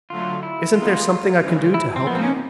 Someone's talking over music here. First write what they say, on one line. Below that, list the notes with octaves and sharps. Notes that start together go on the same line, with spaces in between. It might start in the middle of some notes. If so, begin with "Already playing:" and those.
"Isn't there something I can do to help you?"
D3 F#3 A3 F4
E4
G#3 B3 D#4 F4
C#3 E3 G#3
E4
C4
F3 A#3 B3 D#4
C4
C#4